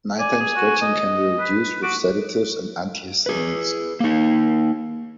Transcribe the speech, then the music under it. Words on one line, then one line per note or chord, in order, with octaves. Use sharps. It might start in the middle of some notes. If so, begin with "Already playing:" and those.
Nighttime scratching can be reduced with sedatives and antihistamines.
D5 G#5
G#4
F#4
D#5
B4
F#4 D6
G#4 B4
A#3 D#4